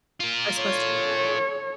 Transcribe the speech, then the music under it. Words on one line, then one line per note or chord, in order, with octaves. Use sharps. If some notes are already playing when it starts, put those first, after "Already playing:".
are supposed to
F4 A#4
A4 C#5